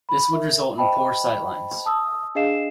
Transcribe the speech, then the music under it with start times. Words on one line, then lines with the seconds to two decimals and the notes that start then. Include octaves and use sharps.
This would result in poor sightlines.
0.09 B5
0.33 A#4 E5
0.78 C5 D#5 G5 A5 B5
1.86 A5 D#6 E6
2.35 D4 G#4 D#5 F5 C7 E7